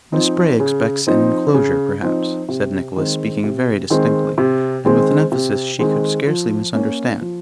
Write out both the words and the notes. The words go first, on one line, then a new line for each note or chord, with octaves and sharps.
'Miss Bray expects an inclosure perhaps,' said Nicholas, speaking very distinctly, and with an emphasis she could scarcely misunderstand.
F3 C4 D#4
C#3
F3 C4 D#4
C#3
F3 C4 D#4
C3
D#3 G#3 C4
C3
D#3 G#3 C4
C3
D#3 G#3 C4
C3
D#3 G#3 C4
F3
A#3 C#4
F3